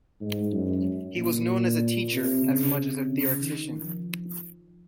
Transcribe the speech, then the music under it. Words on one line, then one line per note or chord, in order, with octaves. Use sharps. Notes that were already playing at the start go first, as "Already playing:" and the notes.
He was known as a teacher as much as a theoretician.
G#2
F#2
A#2
C3
C#3
C3
C#3
D#3
F3